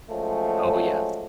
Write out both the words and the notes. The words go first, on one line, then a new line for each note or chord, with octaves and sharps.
Oh, yes.
F3 F#3 G#3 A3 C#4